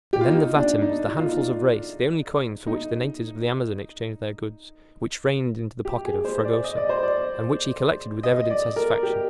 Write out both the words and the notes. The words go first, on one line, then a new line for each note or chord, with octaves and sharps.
And then the vatems, the handfuls of reis--the only coins for which the natives of the Amazon exchange their goods--which rained into the pocket of Fragoso, and which he collected with evident satisfaction.
G4
F4
D#4
D4
D#4
D#4
F4
D#4
D#4
G4
G#4
C5
D5
D#5
D5
C5
D5
D#5
D5
A#4
G4